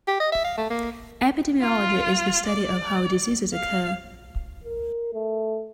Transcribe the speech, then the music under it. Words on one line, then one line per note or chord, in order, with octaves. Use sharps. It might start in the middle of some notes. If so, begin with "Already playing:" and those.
Epidemiology is the study of how diseases occur.
G4
D#5
E5
F5
A3
A#3
F4
D5
F5
A#4
A3